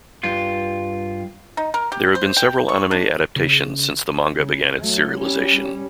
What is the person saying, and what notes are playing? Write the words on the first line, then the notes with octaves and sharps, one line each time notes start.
There have been several anime adaptions since the manga began its serialization.
G2 F4
D#4
A#4
G4
C5
G5
C#6
D4
C#3
C#3
F#3 A3
G3 C#4